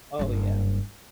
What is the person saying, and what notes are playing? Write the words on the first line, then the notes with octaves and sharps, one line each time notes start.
Oh, yeah.
F#1 G2